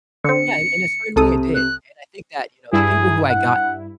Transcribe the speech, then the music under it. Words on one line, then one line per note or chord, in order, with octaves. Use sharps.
Yeah, in in a certain way it did, and I think that, you know, the people who I got
D3 C4 C#7
C2 C3 A4 D#6
F#6
G2 E4 G#4
F#5